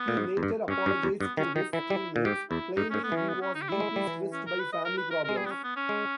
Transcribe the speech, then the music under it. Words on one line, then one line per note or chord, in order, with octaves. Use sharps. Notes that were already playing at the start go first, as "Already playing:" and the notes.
He later apologized to his teammates, claiming he was deeply stressed by family problems.
Already playing: B3
A#2
G#2
E2
G2
G2 C#4
G2
E2
G2 B3
D#3 C#4
D#3 D#4
E3 E4
G3
A#2
G#2 G4
E2 E4
G2 D#4
G#2 C#4
B3
E3 C#4
B3
C#4
D#4
G4
G3 E4
G#3
G3
E3
C#4
A#4
B4
D#5
A#4
B4
A#4
A#4
G#3
G3 G#4
B3
C#4
B3
C#4
G#3